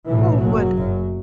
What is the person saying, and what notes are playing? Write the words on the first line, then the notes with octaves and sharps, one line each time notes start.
Oh, what
B1 A2 E3
F#1 F#2 F#3
F#1 F#2